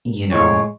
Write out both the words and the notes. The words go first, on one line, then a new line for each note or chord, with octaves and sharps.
you know,
A2 F3 G#3 C#5